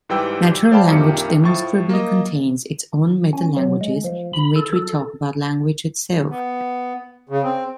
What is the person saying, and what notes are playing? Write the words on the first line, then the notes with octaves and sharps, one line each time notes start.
Natural language demonstrably contains its own metalanguages, in which we talk about language itself.
G#2 E3 G3 B4 G5 E6
C5 D5 F5 G5 A5 B5
A#1 F2 D#3 A#3 G4 C#7
A2 F3 C#6 A6
A#3 D#5
C#4
F#3
G#3
F3
B5
A4
A4
B3
C#3
C4